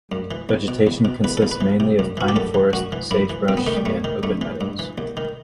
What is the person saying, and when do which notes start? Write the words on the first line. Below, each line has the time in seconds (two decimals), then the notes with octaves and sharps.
Vegetation consists mainly of pine forest, sagebrush, and open meadows.
0.12 F#2
0.31 E3
0.49 E2
0.68 B2
0.87 E2
1.05 B2
1.24 E2 B4
1.37 A4
1.42 E2
1.51 B4
1.61 E3
1.80 C3
1.99 F#2
2.17 E3 F#4
2.28 G4
2.36 F#2 A4
2.54 E3
2.73 F#2 F#4
2.92 E3
3.11 F#2 E4
3.30 E3
3.48 F#2 C4
3.57 B3
3.67 D#3 A3
3.77 G3
3.85 F#2 A3
4.04 D#3
4.23 G2 A3
4.41 E3
4.61 G2
4.79 E3
4.98 D#2
5.17 D#3